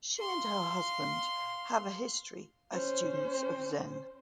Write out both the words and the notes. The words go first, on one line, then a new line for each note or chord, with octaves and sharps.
She and her husband have a history as students of Zen.
F5 C6
C#4 C5